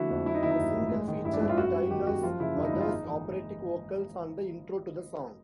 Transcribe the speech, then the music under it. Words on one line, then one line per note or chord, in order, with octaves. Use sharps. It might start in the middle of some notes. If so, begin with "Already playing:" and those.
The single featured Tyler's mother's operatic vocals on the intro to the song.
Already playing: D3 F3 A3 E4 F#4
F2
F#3 E4
D#4
D#3 E4
D#4
G2
A1
G#3
D#3
G2 E4
D4
G#1 E4
F4
F#2 F#4
G3
D#3 G4
F#2 F#4
F3 F4
C#3 E4
F#2 D4
D#4
G#1 E4
F4
G#3 D#4
E3